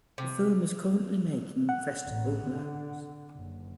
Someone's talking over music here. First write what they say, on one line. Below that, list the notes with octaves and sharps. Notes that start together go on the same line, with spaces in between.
The film is currently making festival rounds.
C3
F#5
A1
D3
F#1